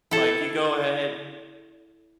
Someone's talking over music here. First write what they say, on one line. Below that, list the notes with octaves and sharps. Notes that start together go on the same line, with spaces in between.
Like, you go ahead,
E4 A4